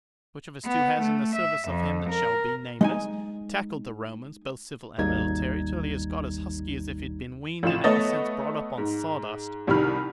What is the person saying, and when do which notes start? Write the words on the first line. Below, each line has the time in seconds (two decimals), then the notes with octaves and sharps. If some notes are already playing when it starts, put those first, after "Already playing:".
Which of us two has, in the service of him that shall be nameless, tackled the Romans, both civil and military, till he has got as husky as if he'd been weaned and ever since brought up on sawdust?
0.64 B3
1.01 A3
1.35 E5
1.68 F2
2.09 A#4
2.81 G#3 D#4 G#5
4.98 G#1 D#2 G3 D#4 G#6
7.63 A1 F4 E7
7.84 A3 B3 A4 C#5 D#5 A6
8.78 G#2
9.67 C2 C3 D#3 B5 F6